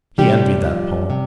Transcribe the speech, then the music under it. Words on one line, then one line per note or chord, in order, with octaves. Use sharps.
He envied that poem.
C3 G3 G4
F3
C3